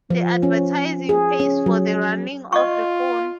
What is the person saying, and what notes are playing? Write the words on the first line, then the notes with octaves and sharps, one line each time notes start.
The advertising pays for the running of the phone.
F3
C#4
G#4
C#4
F#3
F4 D#5 C#6